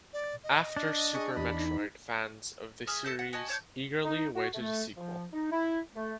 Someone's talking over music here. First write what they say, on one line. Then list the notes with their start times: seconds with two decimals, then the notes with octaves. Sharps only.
After "Super Metroid", fans of the series eagerly awaited a sequel.
0.13 D5
0.44 D#5
0.76 D4
1.14 G#4 C#6
1.37 E2 G4 B5
1.57 D#4
2.87 G#4 E5 F6
3.04 A4 A5 G6
3.19 F#5
3.33 F#4 D#5 G#5 A5
3.48 D4 C#5 A5 G6
4.05 D#4
4.36 F#4
4.54 A3
4.96 F3
5.33 D#4
5.52 E4
5.95 A3